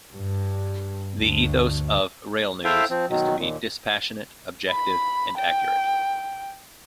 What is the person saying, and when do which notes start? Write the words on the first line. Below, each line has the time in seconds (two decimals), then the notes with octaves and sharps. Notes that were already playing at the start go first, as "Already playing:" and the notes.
The ethos of "Railnews" is to be "dispassionate, objective and accurate".
0.13 G2
1.18 D2
2.65 E4 A4 C5 E5 F5 G5
2.90 F3 C4
3.10 B2 D#3 F#3
3.38 D#2 A#2
4.71 B5
5.37 G5